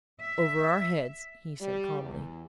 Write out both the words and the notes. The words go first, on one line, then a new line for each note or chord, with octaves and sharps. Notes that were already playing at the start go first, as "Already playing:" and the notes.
"Over our heads," he said calmly.
E5
G3
E2